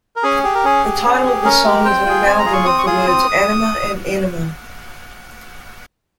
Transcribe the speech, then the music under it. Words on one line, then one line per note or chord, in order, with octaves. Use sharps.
The title of the song is an amalgam of the words "Anima" and "Enema".
A#4
C#4 G#4
G4 G#4
A#4
C#4 G#4
G4
C#4
G4
C#4 A#4
G4
C4 G5
F4 G#4
C4 G#5
A#5
F4 G#4
C#6
C4 D#6
C#6
F4 G#4 D#6
C4